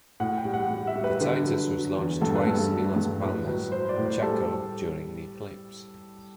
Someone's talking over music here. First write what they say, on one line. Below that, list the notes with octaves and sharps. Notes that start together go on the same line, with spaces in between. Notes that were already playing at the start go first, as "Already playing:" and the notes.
The Titus was launched twice in Las Palmas, Chaco during the eclipse.
A2 F#5
G5
G3
F#5
G3
E5
G3
B4
D3 B4
F#3
F#3
E2
G2 A4
B4
G2 A4
F#3
G2
A2 B4
F#3 B4
F#3 C5
D5
A2
C5
G3 A4